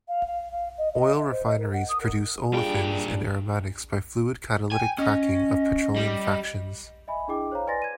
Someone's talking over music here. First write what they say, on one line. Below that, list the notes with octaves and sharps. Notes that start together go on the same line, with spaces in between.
Oil refineries produce olefins and aromatics by fluid catalytic cracking of petroleum fractions.
F5
F5
F5
D#5
D#5
E5
C5
D#5
A#4
F#5
D#6
A#4
A#2 G3 D4 F4 G#4 G5
G5 G#5
C#4 D#5
G3
D#5 E5 G#5 B5
D4 E4 G#4 D#5 G5 D6
C5 C#5 F5 A#5
B4 D5 G#5 C6 A6 A#6
G#6 D#7